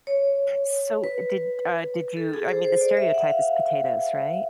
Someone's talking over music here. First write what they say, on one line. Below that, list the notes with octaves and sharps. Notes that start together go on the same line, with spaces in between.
so did uh, did you I mean, the stereotype is potatoes, right?
C#5
B4
A4
G#4
C5
C5
D5
E5
F#5
F5